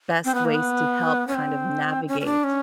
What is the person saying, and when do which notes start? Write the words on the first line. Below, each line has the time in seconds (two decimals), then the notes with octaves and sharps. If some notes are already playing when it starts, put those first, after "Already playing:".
best ways to help kind of navigate
0.25 C4
0.34 B3
0.45 A#3
0.54 B3
1.28 C#4
1.35 C4
2.08 C#4
2.21 C#4
2.25 D4
2.44 C#4